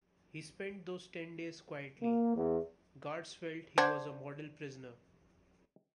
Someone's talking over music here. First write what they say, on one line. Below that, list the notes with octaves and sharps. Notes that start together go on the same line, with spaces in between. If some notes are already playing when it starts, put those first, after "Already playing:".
He spent those ten days quietly; guards felt he was a model prisoner.
A#3
E2
D4 C5 F#5 G6 G#6